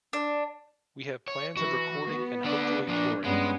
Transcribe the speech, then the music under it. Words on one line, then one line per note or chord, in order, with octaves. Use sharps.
We have plans of recording and hopefully touring.
D4
C#5
E3 F#4
B3
D3 A3 D4 D5
F3 A#3 D4
G2 G3 G#3 B3 C#4